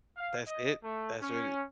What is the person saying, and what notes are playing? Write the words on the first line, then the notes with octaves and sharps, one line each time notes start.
That's it? That's really
F5
D#5
A3
C#4